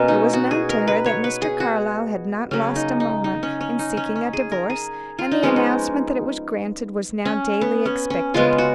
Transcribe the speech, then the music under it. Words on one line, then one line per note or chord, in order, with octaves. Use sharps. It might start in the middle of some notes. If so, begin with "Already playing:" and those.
It was known to her that Mr. Carlyle had not lost a moment in seeking a divorce and the announcement that it was granted was now daily expected.
Already playing: B2 A#3 C#4 F#4
D#4
F#4
G#4
A#4
B4
C#5
B4
G#4
F#4
C#3 F#3 A#3 C#4
D#4
D#4
D#4
C#4
C#4
D#4
C#4
C#4
G#4
A#4
G#4
F4
D#4
F3 G#3 B3 C#4
D#4
C#4
B3
C#4
C#4
C#3 G#3 B3 F4
F#4